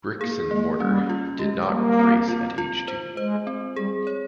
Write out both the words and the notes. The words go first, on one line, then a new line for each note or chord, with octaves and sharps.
Bricks and Mortar did not race at age two.
A#3 G#4
G#3 A#3
G3 C#4
F4
G#3 G4
G3 A#3
C4
F4
F4
C5
G#3 C5
C4
G3 G#4
C#5